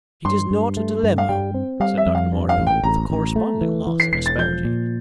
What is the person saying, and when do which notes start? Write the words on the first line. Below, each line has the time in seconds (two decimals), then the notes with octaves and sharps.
"It is not a dilemma," said Dr. Martineau, with a corresponding loss of asperity.
0.25 G2 C6
0.51 G2
0.77 A3
1.03 G2
1.18 F5
1.29 G3 G5
1.54 C4
1.80 G3 F5
1.98 E5
2.06 F2
2.15 F5
2.32 G2
2.49 F5
2.58 A1
2.67 G5
2.83 A1 A#5
3.10 A1
3.36 A3
3.61 E3
3.87 E3
4.00 C7
4.12 E1 C7
4.26 A6
4.38 F3 G6
4.65 A#2